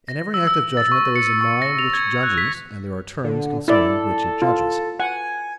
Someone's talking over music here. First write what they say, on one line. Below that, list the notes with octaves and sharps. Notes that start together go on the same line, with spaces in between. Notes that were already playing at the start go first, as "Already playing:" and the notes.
In every act of judgement there is a mind which judges, and there are terms concerning which it judges.
A#6
E6
E6
A6
C#6
C#7
C#6
A#6
F7
G#6
F#6
B6
D3
E4 A4 D5
F4
F#5 G#5